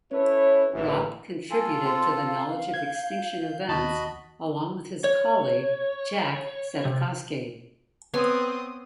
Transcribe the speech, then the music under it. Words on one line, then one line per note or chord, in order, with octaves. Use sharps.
Raup contributed to the knowledge of extinction events along with his colleague Jack Sepkoski.
C#4 E4 A4 B4 C#5
A1 G#2 B2 D3 E3
F4 A4 G#5
C4 C6
F5
G6 G#6
D#2 F#4 D#5 A5 B5
C#5
C3
B3 C4 C#5 G#5 D#6